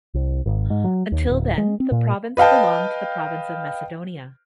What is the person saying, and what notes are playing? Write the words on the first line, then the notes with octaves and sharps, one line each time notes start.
Until then, the province belonged to the province of Macedonia.
C2
G#1
G#2
F#3
D#2
D1
G#3
C4
A#2
B4 D#5 F5 G5 A5